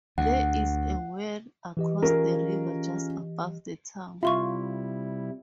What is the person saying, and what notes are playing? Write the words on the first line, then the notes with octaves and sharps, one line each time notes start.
There is a weir across the river just above the town.
D2 F#5
E3 G4 D#5
C#4 F4 G#4 A#4
C3 G3 E4 F4 E5 C6 C#6